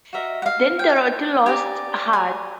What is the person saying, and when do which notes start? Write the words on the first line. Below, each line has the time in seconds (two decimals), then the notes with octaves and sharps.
Then Dorothy lost heart.
0.13 F#4 A#4 D#5 E5
0.42 F#5
0.46 F5
0.79 G5
1.46 G4 A#4 D5 G#5
2.13 G#5